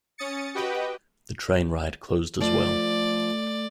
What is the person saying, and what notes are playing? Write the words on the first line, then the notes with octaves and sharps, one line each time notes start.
The train ride closed as well.
C#4 D#6 A6 C#7
F#4 G4 B4 D#5 G5
F3 A3 D5